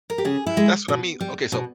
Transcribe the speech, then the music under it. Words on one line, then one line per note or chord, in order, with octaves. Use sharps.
that's what I mean, okay, so,
A#4
G4
C#3 G#4
E4
G#3
B2
G3
B2